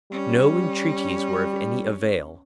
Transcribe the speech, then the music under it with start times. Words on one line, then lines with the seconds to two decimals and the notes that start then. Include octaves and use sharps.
No entreaties were of any avail.
0.11 G3 C#4